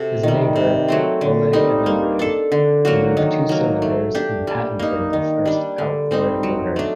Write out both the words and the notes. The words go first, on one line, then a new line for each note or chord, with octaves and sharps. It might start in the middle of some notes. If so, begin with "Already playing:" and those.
His neighbor, Ole Evinrude, removed two cylinders and patented the first outboard motor.
Already playing: C3 F#4 A4
D#3 G3
C3
F#3 A3 C4
D3
G3 C4 D#4
A#3
D4 A4
D3
F#3 A#3 F#4
D#3
F#3 A#3
A3
D4 G4
G3
A#3 D#4
D#3
G3 D4
D3
G3 C4 D#4
F#3
A3 D4